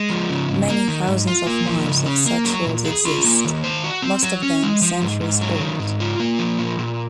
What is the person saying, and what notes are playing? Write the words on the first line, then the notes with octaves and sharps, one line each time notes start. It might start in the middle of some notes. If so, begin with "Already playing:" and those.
Many thousands of miles of such walls exist, most of them centuries old.
Already playing: G#3
F3
C#3
G#2
A#3
D#3
G#2
F4
A#3
F3
C#3
C#4
A#3
F#3
A#2
G#4
F4
A#3
D#3
C5
F#4
C4
F#3
C#4
G#3
F3
G#2
G#2
F#3
D#3
G#2
F4
A#3
F3
A#2
A#2